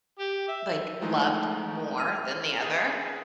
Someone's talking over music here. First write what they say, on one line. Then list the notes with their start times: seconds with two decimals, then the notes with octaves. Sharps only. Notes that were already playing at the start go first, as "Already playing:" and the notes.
like, loved more than the other.
0.19 G4
0.48 E5
1.01 F3 G#3 A3 D#4
1.98 F6 D#7
2.62 G#4 B4